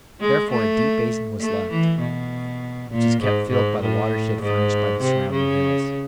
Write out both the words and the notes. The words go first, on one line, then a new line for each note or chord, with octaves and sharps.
Therefore a deep basin was left, which is kept filled by the watershed furnished by the surrounding hills.
G#3
A3
A3
E3
B2
A#2
G#2
G#2
A2
G#2
C3
C#3